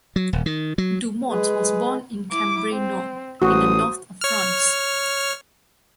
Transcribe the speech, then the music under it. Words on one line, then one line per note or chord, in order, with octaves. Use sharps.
Dumont was born in Cambrai, Nord, in the north of France.
F#3
D#1
D#3
F#3
G#3 G#4 B4
E4 D6
C4
A1 F#4 C5 D#6
C#5 F6